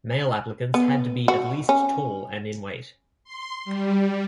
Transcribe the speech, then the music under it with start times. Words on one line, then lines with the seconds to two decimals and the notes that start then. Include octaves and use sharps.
Male applicants had to be at least tall and in weight.
0.74 B3
1.28 F#4
1.69 C#4
3.24 C6
3.65 G3